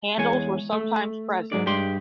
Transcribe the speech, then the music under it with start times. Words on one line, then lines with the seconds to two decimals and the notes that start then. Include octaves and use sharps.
Handles were sometimes present.
0.18 E2 G#3 C#5 G#5
0.73 A3
1.52 G#2 F#3 G#3 D5
1.66 G2 G#3 G4 D5 C6